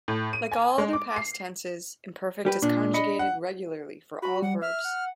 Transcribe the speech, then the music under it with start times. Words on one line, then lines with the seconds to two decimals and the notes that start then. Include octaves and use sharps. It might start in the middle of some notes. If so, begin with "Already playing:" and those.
Like all other past tenses, imperfect is conjugated regularly for all verbs.
0.08 A2
0.33 D#7
0.52 G#5
0.78 G#3
0.93 D6
1.16 C7
2.45 G3 G4 B4
2.62 A#2 D4
2.94 D#5 B5 C#7
3.19 F#5
4.22 F#4 B5
4.42 G3 F#5
4.62 E5 F6
4.85 F#5